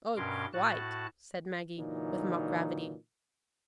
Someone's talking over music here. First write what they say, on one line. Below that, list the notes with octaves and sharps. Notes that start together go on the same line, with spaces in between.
"Oh, quite," said Maggie, with mock gravity.
G2 B2 C#4 A#4 C6 D6
A2 F#4 A5 F#6
A#2 D3 E3 F#3 D#4